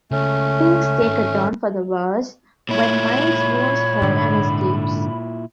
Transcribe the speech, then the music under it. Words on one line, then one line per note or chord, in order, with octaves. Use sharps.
Things take a turn for the worse when Miles wounds her and escapes.
C#2 A3 C#4
G#2 D#3
A#2 E4 C#5 B5
G#2 D3